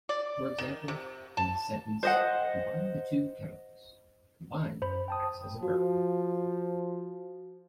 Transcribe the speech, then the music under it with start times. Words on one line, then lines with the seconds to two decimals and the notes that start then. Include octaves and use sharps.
For example, in the sentence "Combine the two chemicals," "combine" acts as a verb.
0.09 D5
0.58 D#3
0.88 C3
1.37 A5
2.03 C5 D#5 F#5
4.82 F#2 C5 B5
5.08 G5 A5 D#6
5.63 F3 F#4